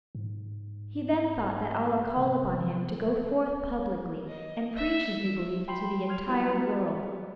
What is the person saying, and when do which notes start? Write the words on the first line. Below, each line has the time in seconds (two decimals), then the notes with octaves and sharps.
He then thought that Allah called upon him to go forth publicly and preach his new belief to the entire world.
0.15 G#2
2.16 C3
4.27 D#5
4.77 E5
5.68 G5 B5 C6 C7 F#7
6.08 C6 F6 G#6 F7
6.28 F#3 G3 A#3 B3 E4